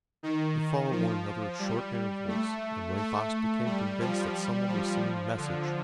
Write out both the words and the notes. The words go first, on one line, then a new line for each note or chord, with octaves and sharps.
They followed one another at short intervals, and Running Fox became convinced that some one was sending a message.
D#3
F3
G3
A3
A3
G3
F3
G3
F3
D3